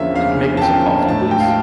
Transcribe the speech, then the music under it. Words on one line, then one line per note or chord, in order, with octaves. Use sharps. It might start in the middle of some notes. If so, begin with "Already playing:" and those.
Could you make me some coffee, please?
Already playing: E2 D3 F3 A#3 C#4 E5
E2 F5
A5
D3 F3 A#3 C#4 G5
A2 A5
G5
F5